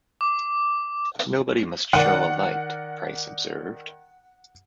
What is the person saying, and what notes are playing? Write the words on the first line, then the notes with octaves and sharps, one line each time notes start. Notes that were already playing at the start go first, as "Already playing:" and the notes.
"Nobody must show a light," Price observed.
D6
D#3 A#4 D5 F#5